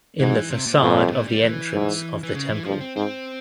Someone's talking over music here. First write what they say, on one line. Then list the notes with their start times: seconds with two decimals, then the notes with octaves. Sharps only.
In the facade of the entrance of the temple.
0.19 G#2 E3
0.51 C3
0.66 A#2
0.81 F2 G#2
0.97 G2
1.12 A#2
1.27 G3
1.42 E3
1.74 G#2
2.23 E3
2.34 C#3
2.50 E3
2.65 G2 F3
2.81 C4
2.96 G#2 C4